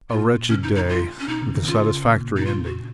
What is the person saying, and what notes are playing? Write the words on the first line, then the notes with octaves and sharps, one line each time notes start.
A wretched day with satisfactory ending.
A#2 F4
C#3 C#4
D#4
D#4
F4
C#4
B2 D#4
C#3
D#3
C#3 F4
A#2
D#4
F4
F#4